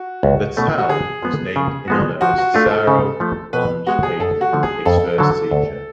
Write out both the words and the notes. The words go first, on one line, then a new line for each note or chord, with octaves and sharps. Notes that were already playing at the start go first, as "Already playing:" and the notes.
The town was named in honor of Cesario Lange Adrien, its first teacher.
Already playing: F#4
C#2
B2 A3 C#4
F#4
D3 G#4
F3 G#3 B3
C#3
F3 G#3 B3 F#4
F3 F#4
F#4
A3 D4 F4
A4
C#3
F3 A3
B2 B4
G#3 B3 F#4
G#4
F#2 A4
F#4
D3 F3 A3
G#4
F2 A4
D3 F#3 A4
D2